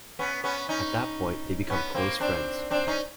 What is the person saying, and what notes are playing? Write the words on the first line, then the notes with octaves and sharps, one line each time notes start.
At that point, they become close friends.
B3 C#4
B3 C#4
C#4 D#4
B3 C#4
A#3 C4
C4 D4
C4 D4
C#4 D#4